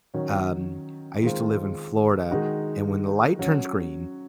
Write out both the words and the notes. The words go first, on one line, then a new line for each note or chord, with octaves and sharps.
Um, I used to live in Florida, and when the light turns green,
D#3 F#3 C#4
D#3 G#3 C4 F4
D#3 G#3 D#4 F#4
F#3 C#4 F#4